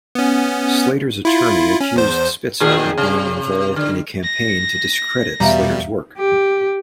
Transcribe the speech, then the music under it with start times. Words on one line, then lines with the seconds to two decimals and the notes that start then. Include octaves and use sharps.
Slater's attorney accused Spitzer of being involved in a campaign to discredit Slater's work.
0.15 B3 C#4
1.25 E4 F4
1.80 C#4
1.96 E2 C5
2.60 A#2 D#3 G#4
2.98 C3
3.76 D3
4.24 A#6
5.40 E2 B2 G3 E5 F5 A#5
6.17 G4